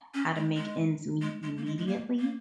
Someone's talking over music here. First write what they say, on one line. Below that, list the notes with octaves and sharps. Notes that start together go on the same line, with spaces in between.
how to make ends meet immediately,
C#4
G#3
G#3
G#3
G#3
A#3
G#3
G#3
A#3
A#3